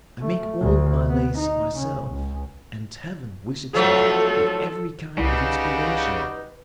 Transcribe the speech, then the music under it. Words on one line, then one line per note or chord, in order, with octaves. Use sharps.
I make all my lays myself, and heaven visits me with every kind of inspiration.
A3
D2
B3
D#4
C#3
C#2
F3 F#3 A3 A4
C2 C#3 G3 D#4 F#4 B4